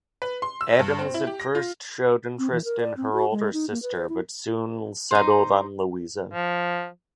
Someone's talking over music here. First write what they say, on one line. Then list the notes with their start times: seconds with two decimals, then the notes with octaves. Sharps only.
Adams at first showed interest in her older sister but soon settled on Louisa.
0.22 B4
0.42 C6
0.61 E6
0.79 G2
0.99 C4
1.14 E4
1.27 G4
1.40 A#6
1.55 F4
2.39 C4
2.52 E3
2.64 A#4
2.80 D5
2.97 C4
3.13 F#4
3.32 G#3
3.53 D#4
3.71 A#3
3.82 B4
3.96 C5
4.09 E4
5.11 D#4 C5
6.33 F3